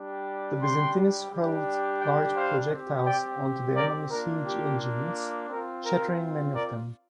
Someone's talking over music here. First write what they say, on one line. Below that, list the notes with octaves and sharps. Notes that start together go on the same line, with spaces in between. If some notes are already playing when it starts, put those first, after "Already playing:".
The Byzantines hurled large projectiles onto the enemy siege engines, shattering many of them.
Already playing: G3 D4 G4
G5 C6
G3 D4 G4
D5 G5
C5 F5
C4 G4
D5 G5
A#4 D5
A#3 D4 F4 A#4
G4
C4 F4 A#4
A#4
A#4 D5